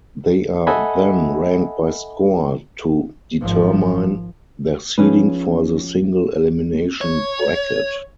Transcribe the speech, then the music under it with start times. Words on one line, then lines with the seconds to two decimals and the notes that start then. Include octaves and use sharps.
They are then ranked by score to determine their seeding for the single-elimination bracket.
0.67 A4 D#5 E5 F#5 G#5 B5
3.41 G#1 F3
4.98 F3 C#4 G#4 B4
7.01 C#5